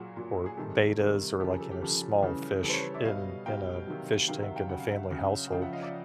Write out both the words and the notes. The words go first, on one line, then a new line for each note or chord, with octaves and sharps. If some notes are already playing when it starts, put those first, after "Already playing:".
or betas or, like, you know, small fish in in a fish tank in the family household,
Already playing: A#2 F#3 F#4 G#4
A#2 F#3
G#4
C3 D#3 G3 G4 A4
C3 D#3 G3
C#3 F3 G4 A4
G#4 A#4
G4 A4
G4 A4
C#3 F3 G4 A4
C#3 E3 G3
C#3 E3 G3 G4 A4
C5
B4 C#5
D5 E5
B2 G3 D#5 F5
B2 G3 F5 G5
C3 D#3 F#3
C3 D#3 F#3 F5 G5
E5 F#5
F5 G5
C#3 F#3 F#5
F5
E5 F#5
C#3 F#3
C#3 F3 F5 G5
E5 F#5
D#5 F5
D5 E5